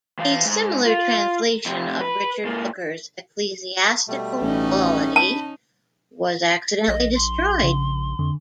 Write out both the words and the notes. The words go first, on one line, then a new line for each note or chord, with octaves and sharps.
A similar translation of Richard Hooker's "Ecclesiastical Polity" was accidentally destroyed.
E3 F5
G#2
F4
F2 C3
B4
G#2 A#3
B2 G3 A3
A1 C#4 D#4
A5 B5
A#1 D#5
C6
C#3
F2 D3